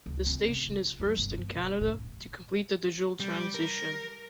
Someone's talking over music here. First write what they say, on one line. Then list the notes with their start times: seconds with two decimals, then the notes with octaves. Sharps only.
The station is first in Canada to complete the digital transition.
0.06 C#2
0.27 C4
0.48 C#3
0.68 F4
1.00 F#2
1.17 G1
1.31 C#3
1.53 E1
1.81 A2
3.20 G3
3.55 A#4